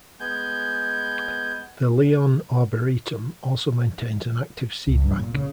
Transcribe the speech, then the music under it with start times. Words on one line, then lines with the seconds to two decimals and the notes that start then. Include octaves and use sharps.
The Lyon Arboretum also maintains an active seed bank.
0.20 G#3 B3 G#5 G6
4.87 C#2
5.04 G2
5.18 A#2
5.34 C#3